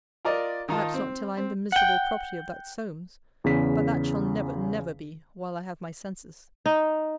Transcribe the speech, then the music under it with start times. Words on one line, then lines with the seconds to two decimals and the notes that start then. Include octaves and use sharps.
Perhaps not till I am the miserable property of that Solmes!--But that shall never, never be, while I have my senses.
0.25 F4 A#4 D5 D#5
0.69 D#3 D#4 F4 A5
0.94 C4
1.37 C4
1.72 F#5 G5
3.44 E2 C#3 B6
6.66 D#4